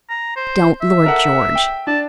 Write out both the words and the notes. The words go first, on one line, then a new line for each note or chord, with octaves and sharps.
"Don't, Lord George."
A#5
C5
E5
A4 A#4 F#5
G5
D4 A5